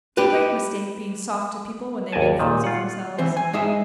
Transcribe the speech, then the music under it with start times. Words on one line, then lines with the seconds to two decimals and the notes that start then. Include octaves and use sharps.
It's a great mistake being soft to people when they make fools of themselves.
0.17 G4 B4
2.12 G#1 D#2 D5 D#5 G#5 A5
2.40 A#2 D#3
2.64 F4 F#5
3.18 E3 C4 C5
3.37 G#5
3.53 G#3 D#4 G#4 E5